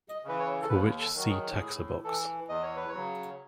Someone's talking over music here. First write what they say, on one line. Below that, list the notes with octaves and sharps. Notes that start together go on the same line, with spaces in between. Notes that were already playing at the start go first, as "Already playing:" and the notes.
For which see taxobox.
D#5
C#3 E3 B4
C#5
A4
D#2 B4
A4
D#3 F#3 F#4
G#4
A2 G#4
E3 A4
E2 D#5
C#5
B4
C#5
C#3 F#3